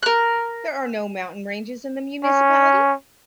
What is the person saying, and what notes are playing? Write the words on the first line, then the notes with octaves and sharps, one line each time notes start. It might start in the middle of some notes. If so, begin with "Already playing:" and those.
There are no mountain ranges in the municipality.
A#4 F#6
C#4